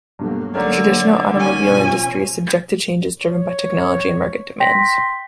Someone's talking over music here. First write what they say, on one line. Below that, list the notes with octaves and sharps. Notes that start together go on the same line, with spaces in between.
The traditional automobile industry is subject to changes driven by technology and market demands.
G2 B2 F#3 A3 A#3
D3 A3 C#4 A#4
C5 C#5
D#3 C#4 G#5
B2 F3 G#4
C#5
G5 C6 A#6 B6